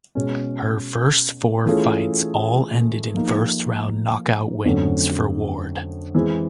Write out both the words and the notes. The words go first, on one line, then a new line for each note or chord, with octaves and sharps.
Her first four fights all ended in first round knockout wins for Ward.
B2 G#3 C#4
E3 A3 C#4 F4 G#4
F3 A#3 D#4
F2 D3 F#3 A3 C#4
E3 G#3 C4 E4